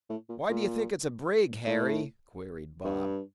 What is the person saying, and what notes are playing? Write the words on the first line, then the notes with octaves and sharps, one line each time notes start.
"Why d'ye think it's a brig, Harry?" queried Bob.
A2
A#2
A#2
A2
G2